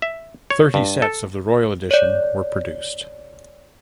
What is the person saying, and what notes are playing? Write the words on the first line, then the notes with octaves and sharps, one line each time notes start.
Thirty sets of the Royal edition were produced.
E5
C#5
G2
A4
C#5 D5